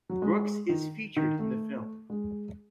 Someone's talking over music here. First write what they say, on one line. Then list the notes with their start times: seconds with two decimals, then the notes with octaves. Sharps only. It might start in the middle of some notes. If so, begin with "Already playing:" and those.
Brooks is featured in the film.
0.09 F#3
0.22 G#3
0.69 D#3
1.16 D#3
1.39 A3
2.10 G#3